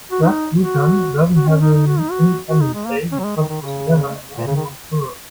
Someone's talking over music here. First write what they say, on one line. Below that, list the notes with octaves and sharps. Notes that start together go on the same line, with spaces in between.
Thus Bhutan doesn't have an Independence Day because it was never under anyone's rule.
F#4
D#4
F#4
F#4
C#4
D#4
D#4
F#4
D#4
F#4
F#4
D#4
G#3
A#3
C#4
F#3
G#3
D#3
D#3
C#3
A#2
C#3
D#3